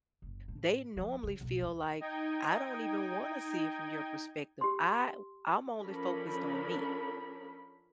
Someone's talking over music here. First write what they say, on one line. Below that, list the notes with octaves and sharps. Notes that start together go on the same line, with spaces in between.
they normally feel, like, “I don't even wanna see it from your perspective, I w I'm only focused on me,
F#1
A2
F3
C#3
B1
D#2
D#4 D#5 G5 G#6
G4 C6
F3 C#4 D4 A4 A#4 B5